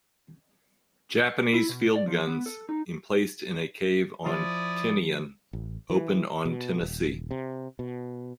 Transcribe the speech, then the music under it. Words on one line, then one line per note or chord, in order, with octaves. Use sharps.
Japanese field guns, emplaced in a cave on Tinian, opened on "Tennessee".
E4
B2
D5
F3
B3
A4
D#4
F3 E4 D5 D#6
A1
E3
B2
D#1
C3
B2